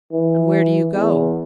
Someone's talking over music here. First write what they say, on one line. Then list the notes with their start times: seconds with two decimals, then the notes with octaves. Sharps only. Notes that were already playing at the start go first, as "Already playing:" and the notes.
"And where do you go?"
0.12 E3
0.94 E2